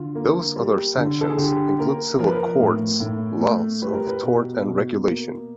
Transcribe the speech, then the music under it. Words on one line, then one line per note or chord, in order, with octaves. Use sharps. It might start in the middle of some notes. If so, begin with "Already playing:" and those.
Those other sanctions include civil courts, laws of tort and regulation.
Already playing: D3 F4
A#3
G3
D3
A4
G#4
D3 G4
A#3 A#4
F3 A#4
B4
A#4
A2
A2
A3
G3 B4
A#4
B4
B2
B2
A#3